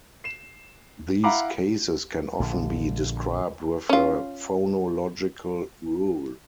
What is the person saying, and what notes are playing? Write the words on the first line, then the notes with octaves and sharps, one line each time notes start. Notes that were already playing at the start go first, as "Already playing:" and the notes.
These cases can often be described with a phonological rule.
C7 E7
E4 F5 F#5 A#5 B5 D6
A#1 D3
C#4 F4